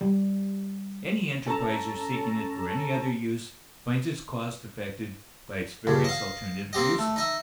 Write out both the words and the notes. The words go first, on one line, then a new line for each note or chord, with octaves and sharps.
Any enterpriser seeking it for any other use finds its "cost" affected by its various alternative uses.
G3
C#4 A4 A5 A#5
G2 C#3
D#5 F5
A#3 C4 G4 D#5
A3
D#4 D#5 E5